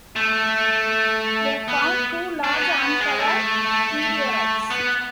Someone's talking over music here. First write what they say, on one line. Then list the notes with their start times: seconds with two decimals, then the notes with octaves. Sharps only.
They found two large uncovered meteorites.
0.16 A3
1.68 B3
2.44 D4
2.53 B3
2.62 C#4
2.82 B3
3.01 G#3
3.19 A3
4.71 B3